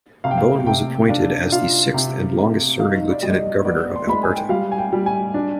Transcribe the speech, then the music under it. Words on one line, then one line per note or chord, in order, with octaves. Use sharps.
Bowen was appointed as the sixth and longest-serving Lieutenant Governor of Alberta.
C3 F5
G5
F5
C3 G5
D4 F5
F4 F5
C3
C3
D#4 F5
D5
G3 D#5
B3 D5
C6
G#3 B5
G#5
G5
G3 F5
G#5
G5
G3
G#5
D4